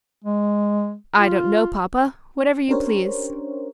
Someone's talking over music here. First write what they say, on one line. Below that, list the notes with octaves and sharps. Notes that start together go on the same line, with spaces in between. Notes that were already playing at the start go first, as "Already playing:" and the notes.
"I don't know, papa; whatever you please."
G#3
F4
C#4 D4 G4 A#4 C5 C#5